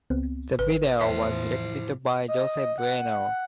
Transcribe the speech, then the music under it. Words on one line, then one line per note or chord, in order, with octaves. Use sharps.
The video was directed by Jose Bueno.
C#2 B3 C4
G#1 B4
E2 A2 F3 E4 C5 E5 A5
D#5
F#5